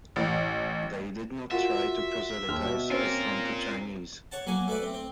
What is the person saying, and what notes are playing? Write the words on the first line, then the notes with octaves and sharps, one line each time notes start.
They did not try to proselytize Islam to Chinese.
A1
F4 F#4 A#4 E5
D#2 F6
B2
C4 C#4 F4 A#4
C#5 F#5 A5
F#3 A#3 G#5
A3 B4 D5
C4
C4